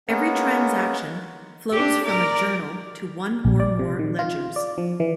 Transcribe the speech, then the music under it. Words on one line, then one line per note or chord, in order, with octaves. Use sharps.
Every transaction flows from a journal to one or more ledgers.
G#3 A#3 B3 C#4
D4 G4
A#4 D5
A#1
D5
C3
D#3
F4
D5
F3
E3